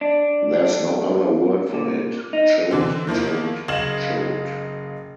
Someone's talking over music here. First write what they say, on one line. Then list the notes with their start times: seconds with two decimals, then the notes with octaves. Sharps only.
There's no other word for it - choked, choked, choked.
0.01 D4
1.74 A#2
2.33 D#4
2.71 D3 E3 C4
3.07 D#3 F3 A#3 E4
3.68 F#1 D#5 F5 G#6 E7 F#7